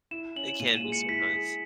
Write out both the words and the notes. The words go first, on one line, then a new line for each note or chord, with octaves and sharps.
It can be sometimes.
E4 E7
C#4 F#7
E7
A#2 D#7
E7
G#3
C#7
E4 B6
G#4